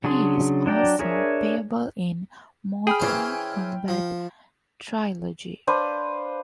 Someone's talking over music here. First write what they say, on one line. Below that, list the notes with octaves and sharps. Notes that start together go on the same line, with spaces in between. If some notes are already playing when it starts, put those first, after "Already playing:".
He is also playable in "Mortal Kombat Trilogy".
C#3 F#3 D4 G#4 C6
F#3 D4 D5 G5 A#5
D4 G#4 A#4 C#5 E5
G#4 G5 B5 F6
E3 C#4 C5
F3
D4 B4 C5 F5